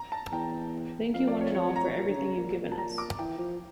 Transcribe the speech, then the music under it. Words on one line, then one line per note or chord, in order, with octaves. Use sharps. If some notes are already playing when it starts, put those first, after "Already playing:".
Thank you one and all for everything you've given us.
Already playing: A#5
A5
E2 G5
F2 F5
D5
C#5
C#5
A#5
A#2
D3
C#3
A#2
A5
A#5
D6
E3 G5
F3